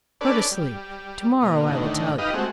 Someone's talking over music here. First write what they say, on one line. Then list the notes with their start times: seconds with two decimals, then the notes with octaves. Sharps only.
Go to sleep; to-morrow I will tell you.'
0.21 C#4 D4 A4 B4 D5
0.51 G3
1.42 B2 A#3
1.69 A2 D3 D#3
2.18 D#4 G4 B4 D#5 F5
2.34 G#3 A3 C4 F#4